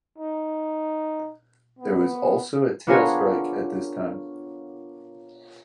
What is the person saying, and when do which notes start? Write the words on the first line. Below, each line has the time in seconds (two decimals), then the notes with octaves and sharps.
There was also a tail strike at this time.
0.19 D#4
1.79 B3
2.87 B3 D4 F4 G#4 A#4 C#5